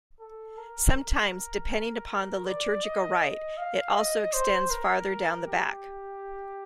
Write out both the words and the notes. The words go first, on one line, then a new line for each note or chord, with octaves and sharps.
Sometimes, depending upon the liturgical Rite, it also extends farther down the back.
A4
A#4
A#4
D5
D#5
D#5
F5
D#5
C5
A#4
G4